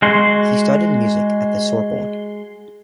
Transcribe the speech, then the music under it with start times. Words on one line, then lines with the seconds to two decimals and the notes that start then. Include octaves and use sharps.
He studied music at the Sorbonne.
0.02 G#3 F#4 C6